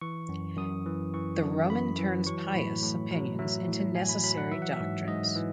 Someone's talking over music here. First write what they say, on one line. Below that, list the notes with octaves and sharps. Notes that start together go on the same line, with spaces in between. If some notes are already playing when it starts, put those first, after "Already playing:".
The Roman turns pious opinions into necessary doctrines.
E3 C#6
F#2
F#2 D#6
E3
E3 C#6
F#2
F#2 B5
E3
F#3 C#6
A2 B5
A2
F#3
F#3 E5
A2
A2 G#5
B5
F#3 B5
F#5
E3 E5
F#5
E5
G#2
G#2 D#5
E3